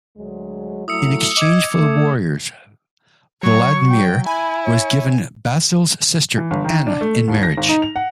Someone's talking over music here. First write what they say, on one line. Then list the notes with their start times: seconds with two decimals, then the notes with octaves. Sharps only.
In exchange for the warriors, Vladimir was given Basil's sister, Anna, in marriage.
0.17 D2 F#3 G#3
0.88 F#3 A3 E4 D#6 E6 C#7
1.37 D#5 D6 G#6
1.78 A3
3.43 F#3 C#5 C#6
3.90 G5
4.26 E4 G#5 B5
4.65 C#5
6.38 E3
6.51 G1
6.64 D#3
6.87 D4
7.01 A3
7.15 A3
7.28 D#2
7.43 A#6
7.57 G#1
7.69 D#4
7.82 F7
7.96 F#5